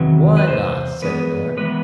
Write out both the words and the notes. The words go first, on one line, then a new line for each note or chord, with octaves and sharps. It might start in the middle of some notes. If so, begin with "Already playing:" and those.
'Why not?' said the Miller.
Already playing: E2 C3 D#3 F#3 B4
B4
E2 C3 C5
E3 G#3 B3 B4
E3 G#3 B3 B4